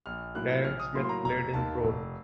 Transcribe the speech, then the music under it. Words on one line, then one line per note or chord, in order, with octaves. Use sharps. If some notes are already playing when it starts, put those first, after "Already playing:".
Darren Smith played in the Proles.
A#1 F6
A2 F#3 A#3 F#6
A#1 F6
D#6
A2 F#3 A#3 C6
C6
A#5
F1 A#5
D#2 D#3 A#3 A5
F1